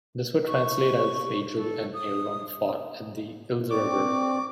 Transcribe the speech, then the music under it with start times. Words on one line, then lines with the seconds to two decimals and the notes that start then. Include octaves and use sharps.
This would translate as "Aigil and Ailrun fought at the Ilz river".
0.47 C#6
1.54 A4
1.94 D#6
3.70 C4 D5 C#6 D6